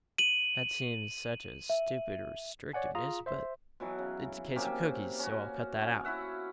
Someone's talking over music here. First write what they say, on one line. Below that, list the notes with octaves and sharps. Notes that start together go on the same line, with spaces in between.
That seems such a stupid restrictiveness, but it's a case of cookies, so I'll cut that out.
D#7 F#7
E5
C#5 D5 F#5 G#5
F4 G#4 F5 A#5 D#6
C5 E5 C6
B2 E3 F#3
C#3
C3 A#3 C#4 G4
C#4 F#4
C#4
E4 F#4 E5 F#5